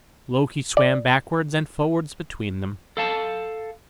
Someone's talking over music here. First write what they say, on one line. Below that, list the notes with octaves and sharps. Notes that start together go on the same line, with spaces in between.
Loki swam backwards and forwards between them.
D5
A4 F5 A5